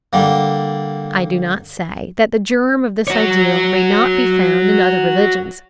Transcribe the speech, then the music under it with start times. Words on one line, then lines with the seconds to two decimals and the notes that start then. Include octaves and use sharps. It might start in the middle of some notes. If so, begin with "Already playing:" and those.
I do not say that the germ of this ideal may not be found in other religions.
0.13 D3 G3 A#3
3.08 F#4 C#5